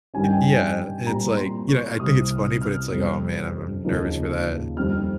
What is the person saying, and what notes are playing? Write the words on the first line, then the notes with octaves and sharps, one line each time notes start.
Yeah, and it's, like, you know, I think it's funny, but it's, like, "Oh, man. I'm I'm nervous for that."
G2 D#3 G3 C#4 G#5
G5
G#5
A#2 G3 C4 A#5
C6
C#6
F6
C2 C3 G3 D#6
F6
F6
F2 C3 G3
D#2 C#3 F3 A#3 D#4
F2 D#3 G3 C4 D#4 F6